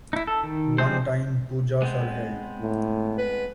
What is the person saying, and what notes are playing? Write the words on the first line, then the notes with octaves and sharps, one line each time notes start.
One time Pujas are held.
D#4 E4
A4
D#3
F3 G3 G#3 C4 C5
G#3 B3 C4
A2
B4